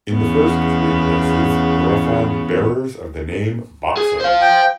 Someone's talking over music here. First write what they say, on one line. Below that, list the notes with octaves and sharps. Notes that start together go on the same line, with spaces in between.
In the first three places, there are found bearers of the name Botzon.
E2 C#3 B3
G#4
C5 F5
G5